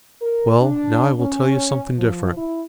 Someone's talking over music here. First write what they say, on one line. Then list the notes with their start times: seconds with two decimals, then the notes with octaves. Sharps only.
Well, now I will tell you something different.
0.22 A#4
0.60 D4
1.18 C#4
1.98 F3
2.36 E4